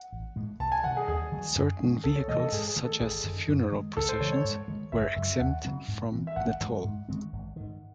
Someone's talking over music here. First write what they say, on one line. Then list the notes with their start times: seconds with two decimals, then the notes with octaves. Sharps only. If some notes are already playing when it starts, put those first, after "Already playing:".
Certain vehicles, such as funeral processions, were exempt from the toll.
Already playing: F#5
0.12 A1
0.36 A2 G#3
0.60 C2 A5
0.72 G#5
0.84 C3 D#3 F#5
0.97 G#4
1.08 D#2 G#4
1.32 D#3 F#3 A3
1.56 F#2
1.80 D#3 G#3 C#4
2.04 C#2 A4
2.16 C#5
2.28 C3 E3 A3 D#5
2.40 A4
2.52 G#2 G#4
2.68 G#4
2.76 D#3 A3
2.85 A4
3.00 G#1 G#4
3.24 F#2 D#3
3.49 F#2
3.72 D#3 G#3
3.97 C#2 A4
4.09 C5
4.20 C#3 E3 G#3 C#5
4.32 C#5
4.44 G#2
4.68 D#3 G#3
4.92 F#1 E5
5.16 F#2 C#3 F#3 E5
5.40 D#2 F#5
5.65 C#3 F#3 C4
5.88 G#2
6.12 E3 C4
6.27 E5
6.36 G#1 F#5
6.61 G#2 D#3 F#3
6.84 G#2
7.09 D#3 G#3 C4
7.33 G#1
7.56 G#2 D#3